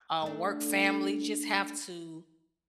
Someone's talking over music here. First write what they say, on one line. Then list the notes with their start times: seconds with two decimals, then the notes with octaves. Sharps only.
a work family, just have to
0.22 A3 D4